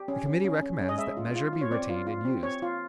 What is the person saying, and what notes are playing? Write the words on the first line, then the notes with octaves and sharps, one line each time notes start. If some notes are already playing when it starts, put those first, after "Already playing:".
The Committee recommends that Measure be retained and used.
Already playing: G4
C#4
C#4
C#4
C#4
C#4
D#5
G#3 E5
F4
F4
F4
C#5
C4 D5
F4
F4
C4
C4 C#5
F4